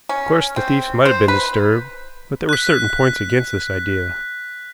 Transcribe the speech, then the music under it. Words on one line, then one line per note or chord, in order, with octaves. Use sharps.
Of course the thieves might have been disturbed, but there were certain points against this idea.
C#4
C4
C5
B4
F#6 B6